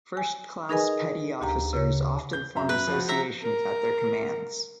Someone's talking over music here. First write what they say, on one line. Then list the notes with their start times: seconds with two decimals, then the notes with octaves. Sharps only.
First-class petty officers often form associations at their commands.
0.17 G#5
0.69 D#4 G#4 A#4 B4 D#5 G#5
1.41 D2 G4 G5 A#5
1.73 C#3 C#5
2.33 G6
2.55 F#2 E5 A#5
2.69 B4
2.87 F3 F4 F#4
3.09 E5 A#5
3.42 A#4